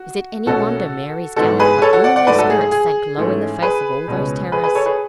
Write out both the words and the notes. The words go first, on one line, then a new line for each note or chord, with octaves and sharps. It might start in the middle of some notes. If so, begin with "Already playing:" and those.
Is it any wonder Mary's gallant but womanly spirit sank low in the face of all those terrors?
Already playing: F#4
B1 B2 A3 C#4 F#4 A4
G#2 E3 G#3 B3 F#4 A4
G#4 B4
A4 C#5
F#4 A4
D5 F#5
D5 F#5
G#2 F#3 A3 B4 D5
F#4 A4
G#4
G#4
G#4
G#2 E3 A3 C#4
G#4 B4
C#2 B2 G#3 C#4
G#4 B4
G#4 B4
A4 C#5
G#4 B4